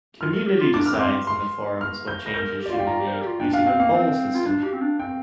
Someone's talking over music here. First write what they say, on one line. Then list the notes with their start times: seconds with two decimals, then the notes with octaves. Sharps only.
Community decides in the Forums what changes should be made, using a poll system.
0.21 F4 F6
0.34 A#4
0.47 G4
0.61 F4
0.74 D4 D6
0.86 F6
0.92 C4 D6
1.00 C6
1.27 C6
1.81 F6
2.08 G6
2.26 A#6
2.33 A#4 G6
2.60 G4
2.66 D5
2.69 F4 F5
2.78 G4 G5
2.87 F4 A#5
3.00 G4
3.07 C5
3.13 A#4
3.22 G4
3.27 F4
3.40 D4 G5
3.53 D4 F5
3.67 C4 F5
3.79 A#3 F5
3.93 C4
4.35 F4
4.46 D4
4.64 G4
4.74 C4
4.82 D4
4.99 C4 G5